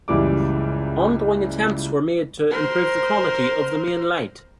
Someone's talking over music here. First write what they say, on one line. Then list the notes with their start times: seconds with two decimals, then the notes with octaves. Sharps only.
Ongoing attempts were made to improve the quality of the main light.
0.08 F#1 C#2 E3 G3 D6
2.51 A#4 C5